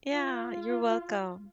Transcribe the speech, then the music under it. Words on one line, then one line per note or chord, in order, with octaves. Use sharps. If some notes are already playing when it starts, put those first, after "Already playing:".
Yeah, you're welcome.
F4